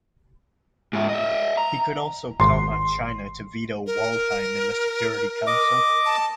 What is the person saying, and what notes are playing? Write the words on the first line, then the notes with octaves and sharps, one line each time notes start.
He could also count on China to veto Waldheim in the Security Council.
G#2 E5
D#5 E5
A#5
G#1 C6
A#4
D#5 D6
A5